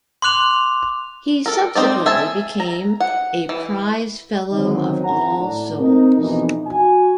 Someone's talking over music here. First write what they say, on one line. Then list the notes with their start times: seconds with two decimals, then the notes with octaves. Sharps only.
He subsequently became a Prize Fellow of All Souls.
0.22 C6 D6 F#6 F7
1.46 A4 A#4
1.75 C4 D#4 D5
2.06 G#4 E5 G#5 A5
2.60 A#5
3.00 F#5
3.49 E3
4.52 D3 D#3 F#3 C4 C#4 D#4
5.03 G#1 F#5 A#5
5.38 A2 D4
5.79 C4 D#4 A#4
6.17 F2 B2 E3 D4 D#4
6.67 F#4 G#5